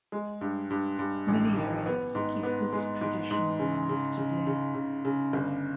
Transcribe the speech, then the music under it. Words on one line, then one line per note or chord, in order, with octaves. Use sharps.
Many areas keep this tradition alive today.
G#3
G2
G2
G2
A1
D#3
B3
G#2
B3
G#3
G#2
G#2
C#3
C#3
C#3
C#3
C#3
C#3
G1